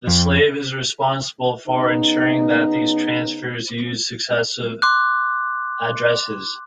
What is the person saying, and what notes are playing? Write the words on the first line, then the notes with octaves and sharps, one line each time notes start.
The slave is responsible for ensuring that these transfers use successive addresses.
F2
C#3 B3 D#4
C6 D6 F#6